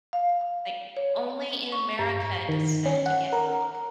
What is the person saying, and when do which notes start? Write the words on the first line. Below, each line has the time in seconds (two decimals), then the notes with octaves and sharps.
Like, only in America does Santa get milk.
0.13 F5
0.41 F5
0.97 C#5
1.72 C#6
1.99 G2
2.49 D#3
2.86 C#4
3.06 F#5
3.33 A#4